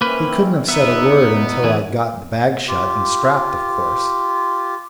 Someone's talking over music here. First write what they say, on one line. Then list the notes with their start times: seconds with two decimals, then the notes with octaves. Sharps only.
He couldn't have said a word until I'd got the bag shut and strapped, of course.
0.01 A#3 C4 C#4 E4 B4
0.69 E2 B3 D#4 E5
1.64 E3 G#4
2.68 F4 G4